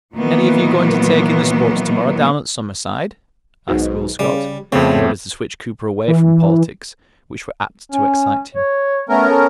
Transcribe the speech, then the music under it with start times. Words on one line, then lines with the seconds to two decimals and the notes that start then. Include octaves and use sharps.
"Any of you going to take in the sports tomorrow down at Summerside?" asked Will Scott, in order to switch Cooper away from politics, which were apt to excite him.
0.13 A#2 D#3 E3 F#3 A#3 B3
3.68 B1 G#2 B2
4.19 C#3 G3
4.72 F2 C#3 A3 B3 C4 C#5
6.08 E3
7.92 C#4
8.55 C#5
9.09 A3 B3 C#4 A#4
9.30 A4